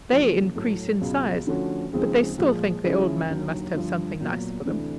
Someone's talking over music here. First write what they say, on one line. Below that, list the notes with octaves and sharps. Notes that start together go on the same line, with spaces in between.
They increase in size, but they still think the old man must have something nice for them.
F#2 C#3 F3 A#3 C#4
A2 F#3 A3
C#2 B2 F#3
D3 F3 A3 C#4 F#4
D#2 C#3 F3 G#3 C4
A#2 F3 G#3
C#3 F3 G#3 C#4 E4
D#2 D3 F#3
G2 D3 F3
A#2 F#3 B3
D2 C3 E3 A3 D4